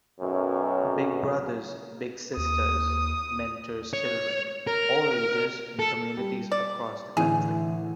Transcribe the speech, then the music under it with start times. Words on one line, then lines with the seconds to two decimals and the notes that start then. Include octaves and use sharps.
Big Brothers Big Sisters mentors children, all ages in communities across the country.
0.20 B1 F#2
2.37 D#2 D#6
3.93 C#5
4.67 A#4
5.79 A4
6.17 G3
6.52 D5
7.17 A2 D3 E3 G#4